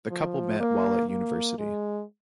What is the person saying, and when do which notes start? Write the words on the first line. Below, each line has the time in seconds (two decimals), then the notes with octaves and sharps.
The couple met while at university.
0.11 F3
0.59 A#3
1.09 A#3
1.58 G#3